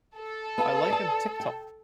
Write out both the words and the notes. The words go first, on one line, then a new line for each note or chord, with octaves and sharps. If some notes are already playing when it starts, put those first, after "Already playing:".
I like 'em tip-top.
A4
B3 F5 A5
D5 A5
G5